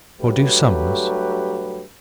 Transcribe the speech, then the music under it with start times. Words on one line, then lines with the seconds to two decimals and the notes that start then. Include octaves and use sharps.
"Nor do sums?"
0.21 G2 F#3 A3 G4 B4